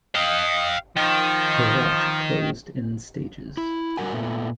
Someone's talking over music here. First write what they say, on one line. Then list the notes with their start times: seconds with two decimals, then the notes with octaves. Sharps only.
The route closed in stages.
0.15 D#5 F5 G5
0.97 D#3 F3
3.57 E4
3.97 D3 G3 F#4 A#4 F#5 G#5
4.13 A#2 A3 B3